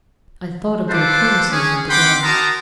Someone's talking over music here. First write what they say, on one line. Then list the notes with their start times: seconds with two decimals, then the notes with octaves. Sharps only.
I thought of the occurrences of the day.
0.90 F4 A4 B4 C5 A5 D6
1.51 C#4 G#4
1.90 C4 F#5 G5 B5 C6 D6
2.23 F#4 A#4 A5 A#5 C6 D#6